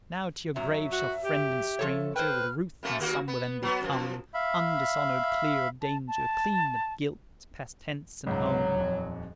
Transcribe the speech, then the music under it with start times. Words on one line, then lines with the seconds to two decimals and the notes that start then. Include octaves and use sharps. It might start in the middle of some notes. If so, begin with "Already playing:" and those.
Now to your grave shall friend and stranger With ruth and some with envy come: Undishonoured, clear of danger, Clean of guilt, pass hence and home.
0.56 F#2 F#3 E5
0.92 F#4
1.24 G4
1.79 F3 A4 C#5
2.16 B4 C5 G5 F6
2.83 F#2 A3 A#3
2.98 D#2 A#3 F#4
3.28 B3
3.63 F#3 B3
3.81 F#2 F3
4.34 E5 F5 B5
5.82 A5
6.08 A5
8.26 C#2 G#2 F#3
8.75 D#1 F2